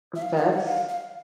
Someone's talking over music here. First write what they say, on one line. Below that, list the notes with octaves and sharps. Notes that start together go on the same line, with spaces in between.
Um, vets?
E5
F5
F5
F#5
F5
F5